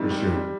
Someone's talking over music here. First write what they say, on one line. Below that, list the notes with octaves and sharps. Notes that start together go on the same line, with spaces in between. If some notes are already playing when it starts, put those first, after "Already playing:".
For sure.
Already playing: C3 D#3 G3
G3
G3